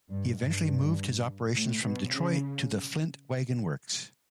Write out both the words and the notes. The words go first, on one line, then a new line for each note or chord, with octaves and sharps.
He eventually moved his operations from Detroit to the Flint Wagon Works.
G2
G2
A2
B2
C#3